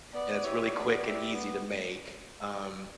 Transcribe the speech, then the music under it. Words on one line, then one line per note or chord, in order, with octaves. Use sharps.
and it's really quick and easy to make. Um,
B3 D5
E4 G4 C#5
B3 D5
E4 G4
B3